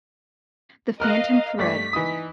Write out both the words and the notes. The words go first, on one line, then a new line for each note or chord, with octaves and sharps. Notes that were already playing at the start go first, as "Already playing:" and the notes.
The Phantom Thread.
A#4 D#5 F5 F6 F#6
G2 A3 D5 B6
E3 D#4 D#6